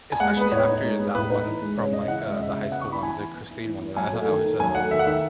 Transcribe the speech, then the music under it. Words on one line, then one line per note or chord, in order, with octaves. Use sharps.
especially after that one from like, uh, the high school one, the Christine one that I I was, um,
G#5
G#3 F#5
B3 B4
A2 C#5
D#4
G#3
B3
A2 B4
D#4 B4
E3
G#3
C#3 C#5
C#3 D#5
E3 F#5
G#3 E5
D#5
C#3 E5
C#3
B3 F#5
C#6
E4 B5
E3 G#5
E3
B3
E4
E3
E3
F#3 G#5
A3
D#3
D#3
F#3 G#5
A3 F#5
D#3 E5
F#5
D#3 E5